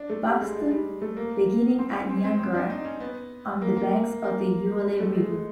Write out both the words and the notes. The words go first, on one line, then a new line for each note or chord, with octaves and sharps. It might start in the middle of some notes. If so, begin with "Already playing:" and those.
Buxton, beginning at Niangara on the banks of the Uele River.
Already playing: D4
A3
G3
G#3
G#3
G3
A3
A#3
C4
C#4
C4
C4
C4
D4
D#4
C#4
B3
A#3
A#3
A#3
G#3
A3
G#3
G#3